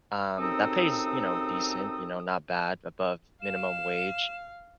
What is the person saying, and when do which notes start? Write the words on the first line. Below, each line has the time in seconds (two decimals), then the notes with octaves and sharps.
um, that pays, you know, decent, you know, not bad, above minimum wage,
0.38 F#2 C3 C4 D#4 A4 D#6
3.42 F5 E7